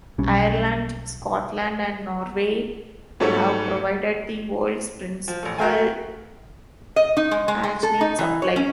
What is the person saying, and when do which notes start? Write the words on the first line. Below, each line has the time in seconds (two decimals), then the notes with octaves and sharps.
Ireland, Scotland and Norway have provided the world's principal alginate supply.
0.18 B1 G3 C#4
3.20 G#2 F#3 G3 A3 A4 C#5
5.28 F3
5.43 A1 A3
5.58 F#4 A#4 E5 F5 G5 G#5
6.96 D#5
7.17 D#4
7.31 G#3
7.48 G#3
7.63 G#3
7.83 A4
8.01 D#4
8.19 E3
8.42 C#5
8.56 C#4